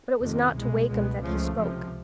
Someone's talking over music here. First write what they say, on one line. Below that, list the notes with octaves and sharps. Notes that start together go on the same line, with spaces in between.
But it was not to Wakem that he spoke.
F2 C3 D#3
C2 B2 G#3
C#2 B2 G#3 B3
C#2 C#3 F3 A3
C#2 C3 F3